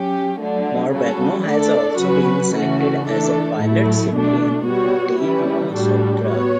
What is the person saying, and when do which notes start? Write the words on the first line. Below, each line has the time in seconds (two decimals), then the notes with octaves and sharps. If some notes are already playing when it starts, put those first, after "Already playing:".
Morbegno has also been selected as a pilot city in the Di.Mo.Stra.
Already playing: F#3 C#4 G4
0.37 D3 F#3 A3
0.91 C#3 G3 C#4 F#4 A4
1.44 A3 D4 A4 D5
1.98 C#3 F#3 C#4 F#4 B4
2.51 C#3 E3 A3 C#4 F#4
3.05 E3 A3 D4 A4
3.59 A2 F#3 A3 E4
4.13 B2 A3 D4
4.65 G3 B3 F#4 C#5
5.19 E3 G3 C#4 E4 B4
5.73 A2 G3 D4 F#4 A4
6.27 B3 F#4 C#5